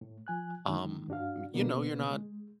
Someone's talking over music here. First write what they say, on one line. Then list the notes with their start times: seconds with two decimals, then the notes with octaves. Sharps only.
um, m you know, you're not,
0.01 A2
0.27 F3 G#5 F#6
0.68 D3 D#3 G#3
1.08 G2 D4 F#4 F5
1.54 B2 D3 A#3 B3
2.11 G#3